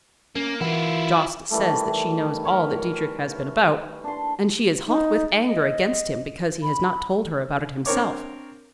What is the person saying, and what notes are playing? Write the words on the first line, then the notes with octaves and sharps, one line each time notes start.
Jost says that she knows all that Dietrich has been about, and she is hot with anger against him because he has not told her about it himself.
A#3 C#4
E3 E4 F4 A#4 F#5
D#3 E3 G3 A3
A#4 B4 C#5
D4 C6
D#4
D#5
B5
C4 D4 A#4 C#5 D6